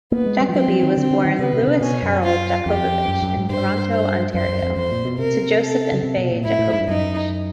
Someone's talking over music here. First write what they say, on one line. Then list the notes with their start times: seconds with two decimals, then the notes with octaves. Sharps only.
Jacobi was born Louis Harold Jacobovitch in Toronto, Ontario, to Joseph and Fay Jacobivitch.
0.12 A#3 B3
0.26 G#3
0.41 G3
0.49 F3
0.55 F#3 C4
0.68 F3
0.83 D#3
0.97 D3 C4
1.11 D3
1.25 D#3
1.39 C#3 B3
1.53 C3
1.63 C#3
1.67 C3
1.81 B2 C#4
2.03 F#2
2.24 F4
2.66 F2 G4
3.08 F#2
3.22 F#2
3.37 G#2
3.50 G2 C5
3.92 C5
4.34 F#2 C5
4.49 F#2
4.63 F2
4.76 F2 C5
4.91 A#2
5.05 B2
5.19 C3 A#4
5.62 A4
5.92 C#3
6.03 C3
6.17 B2
6.32 A#2
6.45 A2 E4
6.59 A2
6.74 G#2
6.80 G2
6.88 F#2 D#4